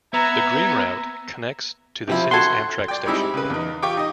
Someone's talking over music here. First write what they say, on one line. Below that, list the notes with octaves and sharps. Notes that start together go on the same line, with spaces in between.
The Green Route connects to the City's Amtrak station.
B3 E5 A#5 G#6
C3 F3 E4
F#4 A4 C6 G#6
D5 G5
G3 G#3 C4 D#4 E4 G4
C#3 B4
E2 D#4
F4 G4 G5 C#6 D6
D#4 D#5